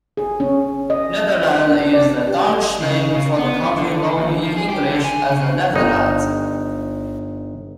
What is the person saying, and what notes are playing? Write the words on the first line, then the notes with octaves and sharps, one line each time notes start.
Nederland is the Dutch name for the country known in English as the Netherlands.
G#4
C#4
D#5
E5
D4
D5
G4
A3
C#3
C#3
B3
F2
D3
D#2
F3
G#4
G4
D3
G#5
C#3
G1 D#4